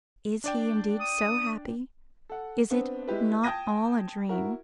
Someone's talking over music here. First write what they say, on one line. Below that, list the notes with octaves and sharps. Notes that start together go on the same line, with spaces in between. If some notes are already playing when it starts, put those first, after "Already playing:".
Is he indeed so happy; is it not all a dream?
D4 D5 G5
D#6
A4 F#5
B3 C4 D4
G#3 E4 G4 B4
G5 A5 D#6 G#6 A#6 D#7
E4 F#4 A#4